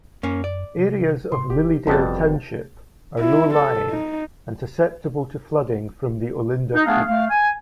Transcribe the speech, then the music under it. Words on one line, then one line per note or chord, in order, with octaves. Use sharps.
Areas of Lilydale township are low-lying and susceptible to flooding from the Olinda Creek.
F#2 A#3 C#4
D5
C3
C3 C6
F#1 G4
F#1 F2 B2 G3 A5 G6 A6
E4
A4
D#4
D#4
A3 B3 D4 G#4 F5
A3 F5
G#5